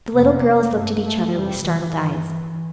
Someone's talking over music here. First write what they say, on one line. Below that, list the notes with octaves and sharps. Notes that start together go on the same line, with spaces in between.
The little girls looked at each other with startled eyes.
F2 C3 A#3
G2 A3
A3
F2 C3 G3
E3
G2 E3
E3